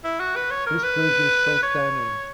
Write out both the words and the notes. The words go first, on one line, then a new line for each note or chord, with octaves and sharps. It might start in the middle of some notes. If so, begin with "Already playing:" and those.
This bridge is still standing.
E4
F#4
B4
C#5
A#4
B4
C#5